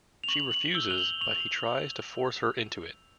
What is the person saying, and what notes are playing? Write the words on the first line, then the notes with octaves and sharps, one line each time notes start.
She refuses, but he tries to force her into it.
F7
C#6 F#7
F#7
E6 G6 G7
F7
F#7
C#6 F7